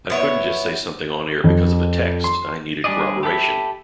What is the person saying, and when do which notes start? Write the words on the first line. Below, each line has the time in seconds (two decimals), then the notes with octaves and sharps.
I couldn't just say something on-air because of a text, I needed corroboration.
0.10 B3 E4 C#5
1.44 F2
2.24 C6
2.84 G3 D4 G#4 D5 D#5
3.23 G4 A4 E5 B5